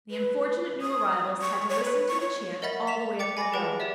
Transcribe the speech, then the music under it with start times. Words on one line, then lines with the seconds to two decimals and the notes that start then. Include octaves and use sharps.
The unfortunate new arrivals had to listen to the chant all the way up the hill.
0.11 B4
0.81 D#6
1.42 C#6
1.69 C#5
1.84 B4
2.08 C#6
2.20 C#5
2.62 A#4 D#5 E5 F#5 B5 A6
2.87 B6 E7 F7
3.19 G5 D6 A6 C#7
3.37 G#5 B5 D6 A6 A#6
3.52 G4 G#4 B4 F#5 G5 A5
3.80 G4 C#5 D5 E5